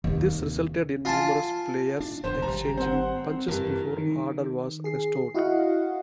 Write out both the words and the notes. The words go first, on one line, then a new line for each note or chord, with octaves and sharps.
This resulted in numerous players exchanging punches before order was restored.
D#2 C3
F4 G#5 A5
D4
D#1 B1 F#2 C5
G#1 G3 A#5
C4 C5 F#5
C4
G2 E3 G4 A#4
D#3
G#4 C7
E4 F#4 D#5 F5 F#5